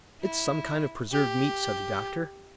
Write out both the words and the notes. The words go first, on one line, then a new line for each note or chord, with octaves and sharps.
"It's some kind of preserved meat," said the doctor.
E4
G4